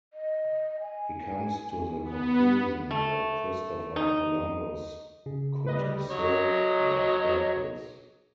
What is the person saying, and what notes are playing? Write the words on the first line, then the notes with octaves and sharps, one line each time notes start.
He comes to the conclusion that Christopher Columbus could serve that purpose.
D#5
G#5
B3
A3
D#4
C#3 G#4
D2 G3 B4 D#5
F#3 C#5 D#5